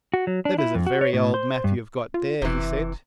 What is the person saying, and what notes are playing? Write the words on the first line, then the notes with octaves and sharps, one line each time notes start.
"That is a very old map you have got there," he said.
F#4
F#3
D4
E4
F2
F#4
C#5
A2
C5
G2
F4
F1 C3 E3